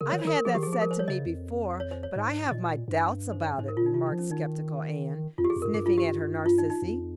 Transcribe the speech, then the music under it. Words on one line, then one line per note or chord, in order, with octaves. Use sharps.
"I've had that said to me before, but I have my doubts about it," remarked skeptical Anne, sniffing at her narcissi.
C#3 A#4
C#5
D#3
C5
D#3 A#4
A#4
F3 G#4
D#3 G4
G#4
F3
G#4
A#4
C5
C#5
C#3 D#5
F2
C#5
C5
C#5
G#2
A#2 D#5
G2
C5
C#5
G#2 C5
A#4
A#2 F4
D#4
C3 F4
D#4
F3
C#4
D#3 D#4
F2 F4
G4
G#4
F2
G2 A#4
G2 G#4
F4
G4
F4
D#4
D#4
F2